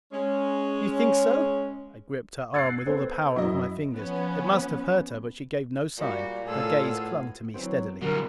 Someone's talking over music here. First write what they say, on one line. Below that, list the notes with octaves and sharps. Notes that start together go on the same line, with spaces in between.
"Do you think so?" I gripped her arm with all the power of my fingers. It must have hurt her but she gave no sign; her gaze clung to me steadily.
G#3 C#4
E6 F#6 G#6 A6 C7 C#7
B3 C4 A4 C5
F#2 F#3 E4 D#5
F3 B3 C#4
A#2 G3 F#4
A2 F4 G#4 A4 E6
B3
E3 F#3 B3 C4
E2 B2 D3 F#3 G3 A#4